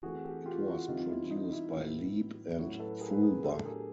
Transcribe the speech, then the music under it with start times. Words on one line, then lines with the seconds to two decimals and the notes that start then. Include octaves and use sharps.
It was produced by Leeb and Fulber.
0.03 E3 A3 C4 F#4 G#4
0.24 G4 A4
0.46 F4 G4
0.67 E4 F#4
0.88 C3 E3 G3 C4 D#4 F4
1.10 E4
1.25 E4
1.31 D#4
1.53 E4
1.73 A2 F#3 B3 D4
2.58 A2 F#3 A3 C#4 E4 F#4
2.80 A4 B4
3.01 G#4 A#4
3.13 B4
3.22 G#4 A#4
3.43 A2 F#3 B3 D4 G4 A4
3.65 G#4 A#4